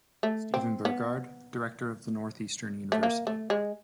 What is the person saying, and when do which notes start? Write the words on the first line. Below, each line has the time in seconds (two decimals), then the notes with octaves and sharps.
Stephen Burgard, director of the Northeastern Univ.
0.23 A3
0.54 C4
0.85 B3
2.92 A3
3.03 A#3
3.27 A3
3.50 G#3